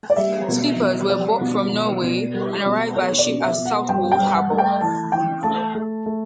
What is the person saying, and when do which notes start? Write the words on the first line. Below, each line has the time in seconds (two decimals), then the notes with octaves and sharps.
Sleepers were bought from Norway, and arrived by ship at Southwold harbour.
0.10 D5
0.16 G3 E5
0.48 B2
0.79 B2
1.10 G3 D5
1.41 B2
1.72 B2
2.03 B2
2.34 G3
2.65 B2
2.96 B2 C#5
3.19 D5
3.27 B2
3.43 E5
3.58 B2
3.65 F#5
3.89 G2 G5
4.12 G5
4.20 G2
4.35 F#5
4.51 A3
4.58 G5
4.81 E3 A5
5.12 E3 G5
5.43 A3 A5
5.74 A3
6.06 A3